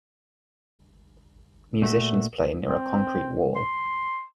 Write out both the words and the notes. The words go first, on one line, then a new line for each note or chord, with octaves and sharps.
Musicians play near a concrete wall.
A#2 A3 F#4 E5
C4
C6